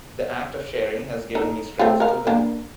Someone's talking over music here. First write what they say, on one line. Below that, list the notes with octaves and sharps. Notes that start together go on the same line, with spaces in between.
The act of sharing has given me strength to live.
D#4 A4
A3 C4 F4
A#4 F5
A#3 D4